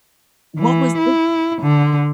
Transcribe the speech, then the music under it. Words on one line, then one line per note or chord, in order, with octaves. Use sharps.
what was the
E3
E4
D3